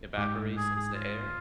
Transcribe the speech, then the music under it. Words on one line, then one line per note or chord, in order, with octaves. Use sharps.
evaporates into the air.
G#2 G4
G#4
G#4
F4